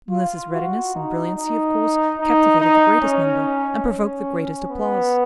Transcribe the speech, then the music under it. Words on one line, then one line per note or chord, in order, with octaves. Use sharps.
Mliss's readiness and brilliancy, of course, captivated the greatest number and provoked the greatest applause.
F4
F#4
D#4
D#4
D#4
D#4
C#4
C#4
B3